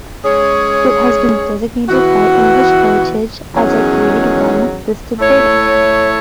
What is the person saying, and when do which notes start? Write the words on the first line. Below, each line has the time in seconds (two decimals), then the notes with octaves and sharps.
It has been designated by English Heritage as a Grade One listed building.
0.24 G#3 C#4 G#4 C#5
1.89 E3 B3 F#4
3.53 E2 D#3 F#3 C#4 G#4
5.18 A3 E4 A4 C#5